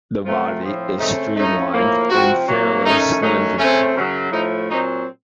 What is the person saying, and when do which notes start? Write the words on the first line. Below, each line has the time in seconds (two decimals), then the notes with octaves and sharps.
The body is streamlined and fairly slender.
0.24 C3 F3 A3 F4
0.61 A2 F3 C4
0.98 C#3 A3 C4 D#4
1.35 A2 A3 C#4 D#4
1.72 A2 F3 A#3
2.09 C3 F3 C4 F#4
2.46 C3 F#3 A#3
2.84 D#3 A3 C#4 D#4
3.20 D#3 F#3 A3 C#4 D#4
3.58 C#3 A3 C4 C#4
3.94 F#2 C#3 F#3
4.31 A2 F3 A3 D#4
4.68 A#2 F#3 C4 D#4